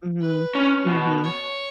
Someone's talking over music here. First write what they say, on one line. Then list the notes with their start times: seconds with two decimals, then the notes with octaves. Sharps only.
Mhm, mhm.
0.21 B4
0.55 C#4
0.88 B2
1.23 C#5